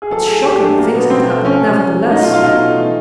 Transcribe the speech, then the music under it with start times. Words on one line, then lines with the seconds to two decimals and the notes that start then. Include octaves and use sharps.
But shocking things had happened, nevertheless!
0.02 G#4
0.10 F#3 A4
0.27 A2 G#4
0.44 A2 G4
0.60 A3 D4
0.78 F#3 A#3
0.94 B2 B3
1.10 B2 C4
1.28 A3
1.44 F3 C#4
1.61 C3
1.77 C3
1.94 A3
2.11 F#3 D#4
2.22 F4
2.27 B2
2.33 F4
2.44 B2 D#4
2.61 A3
2.78 E3